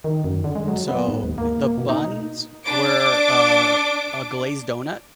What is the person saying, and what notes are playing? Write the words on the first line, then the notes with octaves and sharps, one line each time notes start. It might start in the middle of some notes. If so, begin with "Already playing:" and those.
so, eh the buns were a a glazed doughnut,
D#3
F#2
D3
G#3
F#3
B3
G#2
D#2
A#3
A#3
B2
D#4
D4 D6 D7